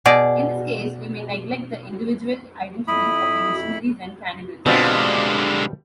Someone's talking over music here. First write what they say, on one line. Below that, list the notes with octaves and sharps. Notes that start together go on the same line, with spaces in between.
In this case we may neglect the individual identities of the missionaries and cannibals.
B2 G#4 D5
F2 E4 B5 D#6
G2 B2 D3 G3 G#3 C4 F4